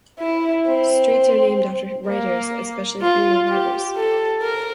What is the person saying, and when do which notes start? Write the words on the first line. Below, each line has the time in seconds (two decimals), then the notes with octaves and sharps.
Streets are named after writers, especially female writers.
0.19 E4
0.67 C4
2.07 A#3
3.02 F4
3.49 G4
3.95 A4
4.42 A#4